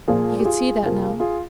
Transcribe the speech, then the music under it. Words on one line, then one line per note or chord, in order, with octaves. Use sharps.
He could see that now.
A#2 F3 A#3 F4 G#4
G4
F4 G#4
F2 C3 F3 A#3
F4 G#4